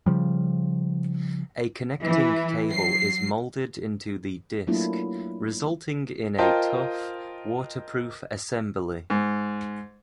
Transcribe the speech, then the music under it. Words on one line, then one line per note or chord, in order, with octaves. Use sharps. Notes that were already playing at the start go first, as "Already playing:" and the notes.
A connecting cable is moulded into the disc, resulting in a tough, waterproof assembly.
C#3 F3 G3
E3
F#3 C7
F#3 A3 A#3 D4 E4 F4
F4 A#4 C5 D#5 G5 A5
G#2